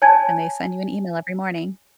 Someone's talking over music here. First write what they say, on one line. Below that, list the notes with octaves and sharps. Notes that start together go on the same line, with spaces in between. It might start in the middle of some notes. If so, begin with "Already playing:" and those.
and they send you an email every morning.
C#5 G#5 A5 G#6